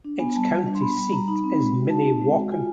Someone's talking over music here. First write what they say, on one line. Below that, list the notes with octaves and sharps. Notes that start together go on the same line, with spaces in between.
Its county seat is Minnewaukan.
D4
B3 G#5
G3 A5
G3 A5
D4
C6
B3 B5
G3 B5
G3 A#5
D#4 B5
C4
G#3
F#4
D#4 A5
C4
G#3
F#4
F4 G#5